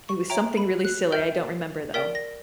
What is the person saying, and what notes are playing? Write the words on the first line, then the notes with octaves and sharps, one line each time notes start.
It was something really silly, I don't remember, though.
C#6
C#5 E5 G5 A#5
B5
F#6
A#4 E5 G5 G6
A#4 D5 G5 B6
A#6